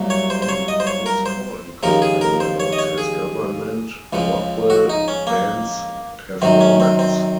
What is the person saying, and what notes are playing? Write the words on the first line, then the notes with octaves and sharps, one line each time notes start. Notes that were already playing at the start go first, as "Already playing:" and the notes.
In this call he complained about his government Rockwell "van's" performance.
Already playing: C2 A#2 F#3
C#5
C5
C5
C#5
D#5
C5
C#5
A#4
C5
D#2 C#3 F3 A#4
G#4
A#4
C5
C#5
D#5
C#5
G#4
C#2 C#3 F3
F#4
D#4
C#4
A#3
F#2 D#3 F#3 C4
C#4
C4
C4